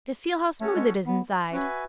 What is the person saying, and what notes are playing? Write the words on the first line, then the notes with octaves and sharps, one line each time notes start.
"Just feel how smooth it is inside!"
A3 C#4 F#4 A4 C#5
G#3
B3
C#4 F#4 B4 E5 G#5